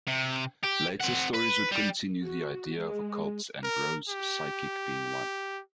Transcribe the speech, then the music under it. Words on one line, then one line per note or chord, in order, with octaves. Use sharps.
Later stories would continue the idea of Occult and Rose Psychic being one.
C3
G4
C4 F#5
B4
G3
F#4
G#3
A#4
G4